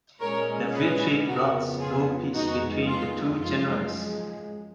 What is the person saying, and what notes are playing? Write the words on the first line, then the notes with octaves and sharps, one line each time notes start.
The victory brought no peace between the two generals.
A#2 G#3 C#4 A#4 C#5
G#4 B4
F2 C#3 F3 B3 F#4 A#4
F4 G#4
F2 D#3 G#3 B3 D#4 F#4
F4
F#2 F3 G#3 F4